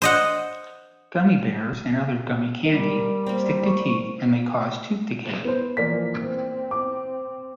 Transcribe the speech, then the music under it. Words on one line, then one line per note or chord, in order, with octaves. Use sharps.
Gummy bears, and other gummi candy, stick to teeth and may cause tooth decay.
C5 D#5 F#5
G3 A#4
A#3 C4
C#6
B3 C5
E3 F3 A#3 D5 B6
C4
D6